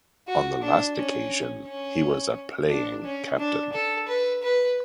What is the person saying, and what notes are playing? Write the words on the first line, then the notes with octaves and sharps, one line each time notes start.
On the last occasion, he was a playing captain.
F#4
D4
C#4
C#4
D4
C#4
D4
A4
B4
B4